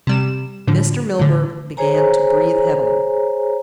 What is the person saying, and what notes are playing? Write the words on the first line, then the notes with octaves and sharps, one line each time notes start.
Mr. Milburgh began to breathe heavily.
C3 G3 E7
A2 D3 F3
A2 D3
G#4 C5 C#5 G#5 A#5